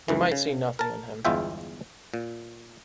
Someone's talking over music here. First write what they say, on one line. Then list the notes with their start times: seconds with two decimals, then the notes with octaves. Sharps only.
You might see nothing in him.
0.08 C#2 F#2 E3
0.32 C#3
0.79 A#4 A5
1.25 G1 E2 G#3 F4 E5 G5
2.14 A#2